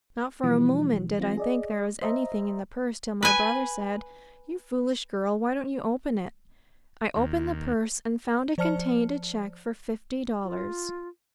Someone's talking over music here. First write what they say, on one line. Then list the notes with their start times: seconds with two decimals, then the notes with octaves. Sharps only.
Not for a moment did I think there was anything in the purse till my brother said: "You foolish girl, why don't you open it?" I opened the purse, and found it contained a check for fifty dollars!
0.43 B2 E3 F3 G3
1.18 E3 F#3 C4 F4 A#6
1.37 G#4 D5 D#5
2.02 C5 D#5 E5 A#5
3.23 B4 G#5
7.16 D#2
8.58 F3 C5 D5 A5 F6 C#7
10.44 F4